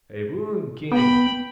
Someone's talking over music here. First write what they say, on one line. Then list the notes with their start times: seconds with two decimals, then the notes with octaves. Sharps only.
"A boon, King!"
0.92 B3 G5 B5